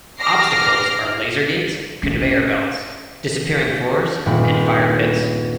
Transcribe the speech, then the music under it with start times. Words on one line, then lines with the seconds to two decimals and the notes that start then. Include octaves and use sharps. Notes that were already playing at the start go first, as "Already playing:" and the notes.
Obstacles are laser gates, conveyor belts, disappearing floors and fire pits.
0.19 D6 F6 A#6 C7
2.03 C#4
4.26 D#1 G2 A#2 C4 B4 B5